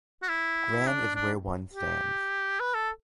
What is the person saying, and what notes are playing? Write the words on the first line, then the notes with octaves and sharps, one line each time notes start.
Graham is where one stands.
F#4
E4
D4
D4
G4
B4
A4